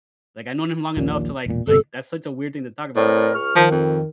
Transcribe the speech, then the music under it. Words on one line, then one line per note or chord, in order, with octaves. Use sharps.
Like, I've known him long enough to, like-" like, that's such a weird thing to talk about,
A#1 D#2 A#2
E1 A#2
G1 C3 A4
A2 C4 A#4 D5
C#2 C#6 F6
D#3 F3
F2